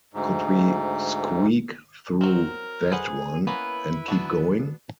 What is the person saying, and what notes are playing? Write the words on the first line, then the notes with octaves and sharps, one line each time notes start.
Could we squeak through "that" one, and keep going?
D2 G#2
F#3 C4 A#4
G#4 B4 C5 F#5
A#3 B3 C#4 E4 B4
B3 D4 F#4